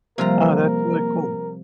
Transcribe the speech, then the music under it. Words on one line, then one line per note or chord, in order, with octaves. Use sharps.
Oh, that's really cool.
C3 F3 G3 A#3 F4 A#4 A#5